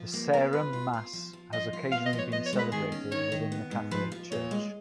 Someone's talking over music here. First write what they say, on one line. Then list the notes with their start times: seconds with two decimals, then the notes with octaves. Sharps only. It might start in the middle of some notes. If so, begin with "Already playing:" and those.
The Sarum Mass has occasionally been celebrated within the Catholic Church.
Already playing: F3
0.13 A#3
0.33 B3 A#4
0.53 F4 B4
0.73 F4
0.93 F4
1.13 F3
1.33 F3
1.53 F3 D#5
1.73 F4
1.92 B3 F5
2.06 D#5
2.13 F3
2.18 C#5
2.32 B3 D#5
2.46 C#5
2.53 G#3
2.58 B4
2.72 D#3 G#4
2.92 C#4
3.11 D#3 C#5
3.32 D#3
3.52 B3
3.71 G#2
3.91 F3 B4
4.12 F3
4.31 A#2 C#5
4.51 G#3